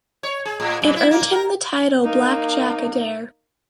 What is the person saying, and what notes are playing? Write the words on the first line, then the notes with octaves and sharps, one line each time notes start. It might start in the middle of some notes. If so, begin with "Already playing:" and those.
It earned him the title "Black Jack Adair".
C#5
G#4
A2
F#2
E4
A#3
A#4
A#3 D#4